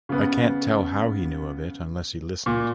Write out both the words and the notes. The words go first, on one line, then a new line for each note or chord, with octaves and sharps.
I can’t tell how he knew of it, unless he listened.
C#3 B3
A#2